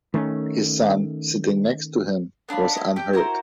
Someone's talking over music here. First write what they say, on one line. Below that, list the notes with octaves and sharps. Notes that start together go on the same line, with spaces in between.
His son, sitting next to him, was unhurt.
D#3 A3 A#3 C#4
B3 D4 F5 B5
E4 G4 D#5
G4 G5
E4 F#4 A#4 C5